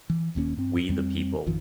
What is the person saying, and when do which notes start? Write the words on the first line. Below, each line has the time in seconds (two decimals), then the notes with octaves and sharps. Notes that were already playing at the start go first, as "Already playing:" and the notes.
We the People!
0.10 E3
0.35 D#1 D#2 A#3 C#4
0.57 G2 C4
0.89 F2 G3 C4
1.46 G#1 F2 D#3 F3